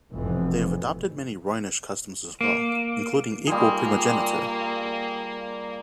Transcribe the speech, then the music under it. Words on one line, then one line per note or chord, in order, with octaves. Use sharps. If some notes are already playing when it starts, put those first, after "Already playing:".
They have adopted many Rhoynish customs as well, including equal primogeniture.
F1 F2 G#2 B2 E3
A#3
G3 A#3 F4 G#4